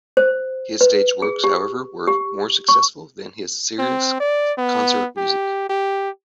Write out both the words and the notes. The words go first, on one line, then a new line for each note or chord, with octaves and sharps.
His stage works, however, were more successful than his serious concert music.
C5
B4
G#4
G4
G4
C#6
C4
D5
B3
G4
G4